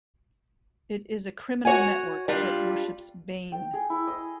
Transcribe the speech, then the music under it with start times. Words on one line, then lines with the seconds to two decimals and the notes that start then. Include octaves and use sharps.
It is a criminal network that worships Bane.
1.65 F#4 C#5 F#5 G#5
2.28 G3 D4 F4
3.52 G5
3.74 G#4
3.90 E4
4.07 D#5